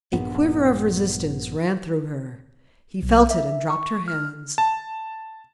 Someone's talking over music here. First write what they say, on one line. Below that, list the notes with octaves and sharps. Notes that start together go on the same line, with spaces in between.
A quiver of resistance ran through her: he felt it and dropped her hands.
A#1 G2 B3
B1
E5
C#6
F6
A5